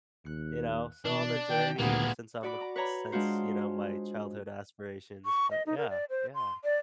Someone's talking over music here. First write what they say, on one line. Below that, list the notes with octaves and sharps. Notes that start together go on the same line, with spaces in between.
you know, still on the journey since I'm a since, you know, my childhood aspirations, but, yeah, yeah.
D#2 F#6 C#7
B2 D4
D#3 G5
D#1 D2 A#2 A#3 B3 G#4
F#4 D5 B5 D6
A#5 D6
B4 C#5 A#5 B5
G#3 D4 F4 F#4 C5
C#6
D#5
D#4
A#4
D5
C5
C6
D5